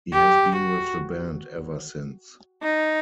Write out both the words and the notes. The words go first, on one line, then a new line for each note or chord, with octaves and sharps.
He has been with the band ever since.
G4
F#4
D#4